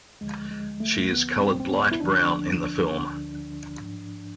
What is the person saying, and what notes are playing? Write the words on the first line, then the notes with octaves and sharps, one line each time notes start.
She is colored light brown in the film.
D2 D3 F3 G#3
G#3
A3
D2 D3 F3 B3
C4
C4
B3
E4
D2 D3 F3 D4
D2 D3 F3
G#2 F3